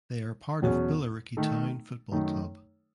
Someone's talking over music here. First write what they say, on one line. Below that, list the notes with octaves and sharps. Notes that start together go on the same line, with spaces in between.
They are part of Billericay Town Football Club.
E2 B2 F#3 C#4 G#4
D#3 A3 D#4 A4
F#2 D#3 A3 D#4 A4